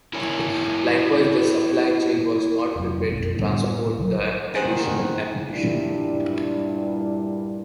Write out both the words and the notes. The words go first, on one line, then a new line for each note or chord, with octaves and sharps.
Likewise, the supply chain was not prepared to transport the additional ammunition.
E4 A#4 C#5 G#5
F1 F#2
B1 F2
A2 D3 G3 B3
B1 E3 F#3
D#3 D#4 G#4 C5 F#5 G#5
G2 A#2 G3 D4 E4